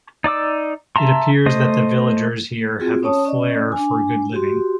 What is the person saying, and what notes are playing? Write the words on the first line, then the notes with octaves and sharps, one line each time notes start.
It appears that the villagers here have a flarir for good living.
D#4 D5 D6 E6
E5 A5 A#5 C6
A3 C5 D#5
C4 F4 F#4 G#4
C#4 C#5 A5 D#6
C#4 D5 D#5
D4 G#5
F#4 G4 C6